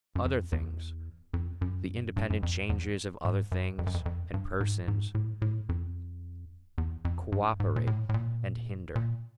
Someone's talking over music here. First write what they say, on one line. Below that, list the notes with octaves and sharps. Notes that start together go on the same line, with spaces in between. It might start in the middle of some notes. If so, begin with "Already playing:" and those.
Other things, the independent changes of other things and persons, cooperate and hinder.
F#2
F2
E2
F2
F#2
G2
F#2
F2
E2
G#2
F#2
F2
F#2
F2
F2
G2
G#2
G#2
A2
A2
F2
E2
F2
G2
G#2
A#2
A2
A2
A#2
A#2